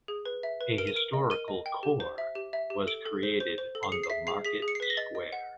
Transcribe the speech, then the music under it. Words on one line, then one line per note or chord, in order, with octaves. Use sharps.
A historical core was created on the market square.
G#4
B4
E5
B4
A#4 D7
D#7
A#4 D7
D#5
A#4 D#7
D#5
G5
G4
C5
E5
G4
E5
G4
A4 D7
A4
C5
C5
C5
A4
C7
G#4 C#7
C7
E5 B6
G#4 C7
G#4 B6
G#4
C#7
C7
B4 B6
A#6
D#5 A6
D#5
F#5